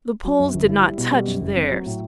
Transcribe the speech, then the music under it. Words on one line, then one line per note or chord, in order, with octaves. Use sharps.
The Poles did not touch theirs.
F#3
F#2
G1
E4
G3
B2
G3
F#2
F#1
C4
F#3
A2